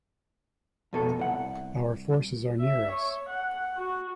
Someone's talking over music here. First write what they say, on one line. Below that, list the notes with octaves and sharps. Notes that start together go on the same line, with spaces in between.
Our forces are near us.
F2 B2 A4
C2 F#5
E5
C#5
F#5
F#4